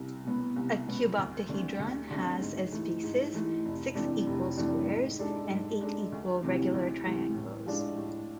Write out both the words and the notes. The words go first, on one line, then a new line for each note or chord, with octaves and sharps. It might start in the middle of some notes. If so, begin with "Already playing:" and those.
A cuboctahedron has as faces six equal squares and eight equal regular triangles.
Already playing: C2
B2 B3
C2
B2 B3
D2
D3 A3 C4
D2
D3 A3 C4
G#2
E3 A3
G#2
E3 A3
F1
F2 E3 A3 D4
F1
F2 E3 A3 D4
G#2
G#3 D4 A4
G#2
G#3 D4 A4
D2
C3 E3 A3 C4
D2
C3 E3 A3 C4
A2
F3 G#3 D4
A2